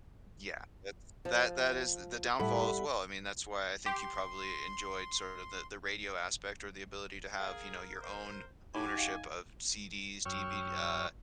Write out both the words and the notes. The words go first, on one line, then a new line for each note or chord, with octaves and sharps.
Yeah, that's that that is th the downfall as well. I mean, that's why I think you probably enjoyed, sort of, the the radio aspect or the ability to have, you know, your own ownership of CDs, DV uh,
F3
A2 G3 A4 E5 F#5 B5
G4 C6
G#4 A#4 F5
C5
D#4 F#4 G4 G#5 D6
D#5 F5 G5
F#2 C#5 G5 C#6 E6 F6